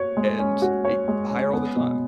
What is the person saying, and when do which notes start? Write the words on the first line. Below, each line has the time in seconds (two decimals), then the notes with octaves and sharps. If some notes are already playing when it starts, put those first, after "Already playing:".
and it higher all the time.
Already playing: F#4 C#5
0.17 G#3
0.39 C#4
0.62 F#4
0.85 C#5
1.08 G#3
1.30 C#4
1.53 B3
1.76 B2